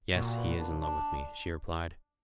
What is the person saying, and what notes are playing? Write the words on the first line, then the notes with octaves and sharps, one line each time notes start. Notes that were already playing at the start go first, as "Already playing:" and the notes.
"Yes, he is in love with me," she replied.
A#2 F#4
B4
D4
D4